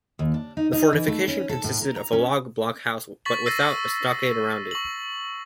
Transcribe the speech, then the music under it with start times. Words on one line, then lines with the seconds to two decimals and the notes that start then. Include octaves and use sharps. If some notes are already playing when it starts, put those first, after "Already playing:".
The fortification consisted of a log blockhouse but without a stockade around it.
0.19 D#2
0.34 D4
0.57 D#4
0.73 D#4
0.93 E3
1.08 A3
1.28 C#4
1.49 A4
1.64 A2
1.82 A#4
1.96 A#5
2.13 C#4
3.25 C#6 A6 B6 F#7
3.46 E6 A6 A#6 C7 D#7
4.71 C#6 F#7